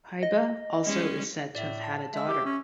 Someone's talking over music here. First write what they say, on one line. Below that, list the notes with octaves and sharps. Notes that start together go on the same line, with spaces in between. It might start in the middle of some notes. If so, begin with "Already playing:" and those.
Pybba also is said to have had a daughter.
D#5
G3 G#3 C#4
A2 D5 E5
A5
G#3 E5 E6
G4
C#4